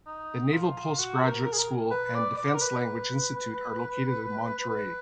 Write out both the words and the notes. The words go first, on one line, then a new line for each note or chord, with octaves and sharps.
The Naval Postgraduate School and Defense Language Institute are located in Monterey.
D#4
F4
F#4
A#4
A#4
G#4
A#4
B4
D5
D5
A#4
B4
B4